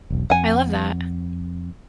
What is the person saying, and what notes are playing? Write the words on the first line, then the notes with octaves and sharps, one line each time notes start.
I love that.
E1 B1
F2 F#5 G#5